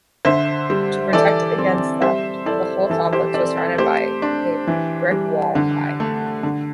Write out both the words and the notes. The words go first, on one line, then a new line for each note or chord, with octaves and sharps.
To protect against theft, the whole complex was surrounded by a brick wall high.
D3 C5 E5
G3
E3 A4 D5
C4
G3 C5 E5
E4 A4 D5
E3 A4
G4 C5
C4 A4 D5
A4
A3 G4 C5
D4
E3
G3
D3
A3
D3